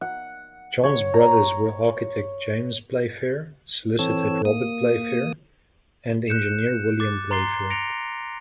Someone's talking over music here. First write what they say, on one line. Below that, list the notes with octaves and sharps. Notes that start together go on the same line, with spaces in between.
John's brothers were architect James Playfair, solicitor Robert Playfair and engineer William Playfair.
F#5
C#5
A#5
E3 C4 A4 C#5 E6
A#3 D#6
F#6 G6 C#7 E7
D6 A6
A#5 C6 A6 C7 G7
A#6 C#7 D7 F7